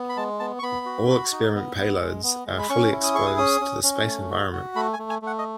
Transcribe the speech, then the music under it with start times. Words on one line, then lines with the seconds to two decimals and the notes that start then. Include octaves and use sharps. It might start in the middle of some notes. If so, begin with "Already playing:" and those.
All experiment payloads are fully exposed to the space environment.
Already playing: B3
0.09 B5
0.17 G#3 A5
0.40 B3 A5
0.59 C#6
0.63 B3 B5
0.86 F#4
1.09 F#4
1.32 D#4
1.54 B3
1.77 B3
2.01 G#3
2.23 B3
2.46 G#3
2.59 B5
2.69 C#4 C#6
2.92 E4
3.04 D#6
3.15 G#4 C#6
3.26 D#6
3.38 C#4 D#6
3.61 C#4
3.83 C#4
4.07 A3
4.30 F#4
4.53 F#4
4.75 A3 B5
4.93 G#5
4.99 A3
5.10 G#5
5.22 A3 F#5
5.39 D#5